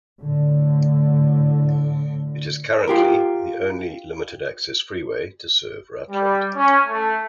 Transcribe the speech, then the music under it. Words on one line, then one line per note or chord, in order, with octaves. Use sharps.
It is currently the only limited-access freeway to serve Rutland.
A2 D3
F4 G4 A#4
G3
C#4
A3